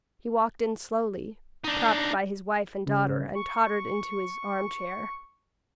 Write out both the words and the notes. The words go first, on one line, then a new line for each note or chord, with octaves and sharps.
He walked in slowly, propped by his wife and daughter and tottered into his arm-chair.
D4 D#4
C#3
C#6